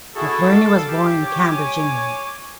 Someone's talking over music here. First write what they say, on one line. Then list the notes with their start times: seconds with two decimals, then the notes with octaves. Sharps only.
McBurney was born in Cambridge, England.
0.16 E4 F#4 G#4 A4
0.48 F5 D6
0.89 G4
1.23 C#5 D6
1.53 G#5